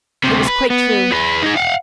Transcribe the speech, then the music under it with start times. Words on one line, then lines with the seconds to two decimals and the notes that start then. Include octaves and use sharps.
It was quite true.
0.24 D2 C3
0.47 B4
0.70 B3
1.12 G#4 B4
1.42 D#4 G#4
1.56 F5 F#5